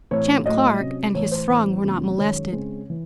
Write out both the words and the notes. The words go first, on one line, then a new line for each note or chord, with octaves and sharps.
Champ Clark and his throng were not molested.
A2 E3 A3 C4 C#5
A2 F#3 A3 D#5
C3 F#3 C#4
A2 E3 A3 C#5
C5
A2 E3 C4
E2 C3 F#3 A3 C#4
F#2 D#3 G#3 C#5
C#3 G#3 C4
E3